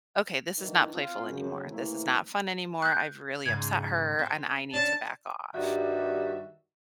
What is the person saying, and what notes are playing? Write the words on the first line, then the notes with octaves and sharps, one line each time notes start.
okay, this is not playful anymore, this is not fun anymore. I've really upset her, and I need to back off."
G2 D#3 E3
C4 F4
F#2 C#3
C3 E3 A3 A#3 C4 E4
F#6 G6
G#2 C#3 G#6
C4
C#4 D4 A5
G2 D#3 G3 F#4 E5